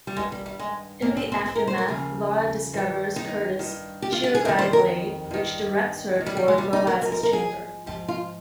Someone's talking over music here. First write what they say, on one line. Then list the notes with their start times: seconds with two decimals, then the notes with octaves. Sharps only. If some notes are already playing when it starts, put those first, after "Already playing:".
In the aftermath, Lara discovers Kurtis' Chirugai blade, which directs her towards Boaz's chamber.
0.07 G3
0.17 G2 D#3 G#3
0.32 G3
0.46 G3
0.59 G#3
1.02 G#2 D#3 A#3
1.17 C4
1.32 C4
1.46 C4
1.56 A#4
1.67 C5
1.78 A#4
1.88 D#2 C#3 F3 G#4
2.74 G2 D#3
3.16 D#4
3.59 G2 D#3
4.02 G4
4.12 F4
4.24 G4
4.35 G#4
4.45 F2 A#4
4.48 D#3
4.59 C5
4.73 A#4
5.31 G2 D#3
6.16 D#2
6.21 D#3
6.26 G3
6.37 G3
6.48 G#3
6.58 G3
6.73 D#4
6.87 A#4
7.01 G#2 F3 A#4
7.12 A#4
7.23 A#4
7.33 G#4
7.86 G#2 F3 G4
8.08 F4